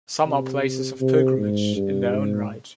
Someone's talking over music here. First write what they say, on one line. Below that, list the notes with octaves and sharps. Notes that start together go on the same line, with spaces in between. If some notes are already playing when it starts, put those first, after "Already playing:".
Some are places of pilgrimage in their own right.
C3
C3
G#2
G2
G#2